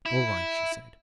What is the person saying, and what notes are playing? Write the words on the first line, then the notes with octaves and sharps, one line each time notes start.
"All right," she said.
E4